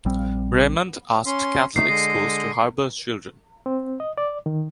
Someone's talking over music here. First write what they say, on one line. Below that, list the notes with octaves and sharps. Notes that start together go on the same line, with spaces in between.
Remond asked Catholic schools to harbor children.
A#1 G3 C4
C#4 C6
A3 D#4 C7
D3 G#3 D#5
C4
D#5
D5
D#3